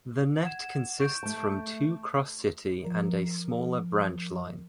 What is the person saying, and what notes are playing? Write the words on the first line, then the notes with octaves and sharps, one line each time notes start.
The net consists from two cross-city and a smaller branch line.
F#5 G#6 E7
C#6 G6 D7
A3 A5
F3 A#4